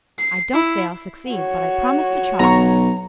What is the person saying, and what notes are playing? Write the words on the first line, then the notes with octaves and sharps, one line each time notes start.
I don't say I'll succeed, but I promise to try.
C7
E4
F#4 C#5
B1 A#5 C#6